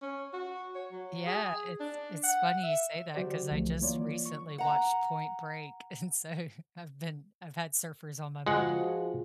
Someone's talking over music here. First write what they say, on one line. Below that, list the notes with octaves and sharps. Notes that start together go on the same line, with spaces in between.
Yeah, it's it's funny you say that 'cause I just recently watched Point Break, and so I've been I've had surfers on my mind.
C#4
F#4
C#5
F#3
G#4
D4
F#5
E5
D3 F#3 F#4 G4 C5 D5
C2 D3 E3 F3 A3
E3 F#3 A#3 F4 C#5 D5
C#6
F#5 A#5
F3 G#3 F4 F#4 G#4 F#5